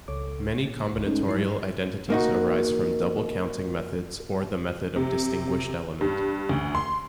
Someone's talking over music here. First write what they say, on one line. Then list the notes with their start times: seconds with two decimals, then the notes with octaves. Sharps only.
Many combinatorial identities arise from double counting methods or the method of distinguished element.
0.08 C#2 A4 C#5 D6
0.61 A#2
0.93 G1 C#2
1.05 G#3 A3 C#4 D#4
1.26 G#2 F#3 G#3 D#4 E4 C7
2.10 A#3 D#4 F#4
4.96 C3
6.01 G2
6.49 D2
6.75 C6